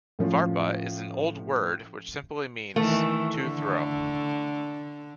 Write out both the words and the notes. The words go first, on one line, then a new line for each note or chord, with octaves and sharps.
"Varpa" is an old word which simply means "to throw".
A2 F3 C#4 F4
D#3 E3 A3
D3